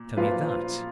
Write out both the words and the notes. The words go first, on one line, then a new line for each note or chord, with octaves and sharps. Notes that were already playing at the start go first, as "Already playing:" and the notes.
Tell me that.
Already playing: A#2
A#2 F3 A#3 F4 B4